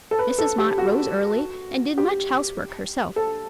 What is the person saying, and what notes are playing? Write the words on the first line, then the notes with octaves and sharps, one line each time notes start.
Mrs. Mott rose early, and did much housework herself.
A4
B4
A4
G4
F#4
G4
A4